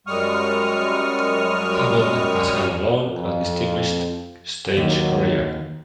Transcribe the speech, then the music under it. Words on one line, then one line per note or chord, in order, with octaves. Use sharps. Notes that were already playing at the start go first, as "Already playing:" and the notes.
Hammond has had a long and distinguished stage career.
F#2 G3 G#3 C#6 D#6 F6
F2
D#2 D#3 F#3